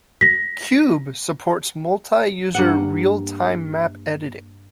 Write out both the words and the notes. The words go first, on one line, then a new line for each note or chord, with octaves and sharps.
Cube supports multi-user, realtime map editing.
A#6 B6
G2 A#3 F#5